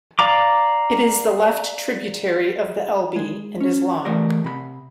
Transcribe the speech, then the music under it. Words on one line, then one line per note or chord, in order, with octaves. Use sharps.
It is a left tributary of the Elbe and is long.
D5 F5 A#5 D6
G#3
C#4
E3 A3 G4 A#4 D5 D#5
C3 B5